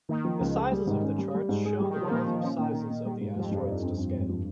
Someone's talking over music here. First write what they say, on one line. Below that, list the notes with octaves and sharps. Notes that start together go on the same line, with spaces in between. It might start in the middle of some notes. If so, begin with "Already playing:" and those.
The sizes of the charts show the relative sizes of the asteroids to scale.
D#3 A#3
F3
C#2
G#4
G3
G#2 D#3
C#4
G3
G3
G#2
G#4
D#3 G3
D#3
G3
F3
A#2 D#3
A#2
F3 C#4
A#2 D#3
A#2 D#3
A#2
D#3 G3
G#2
F2 G3
G2 G3
D#4
C4
C4
G#2
F3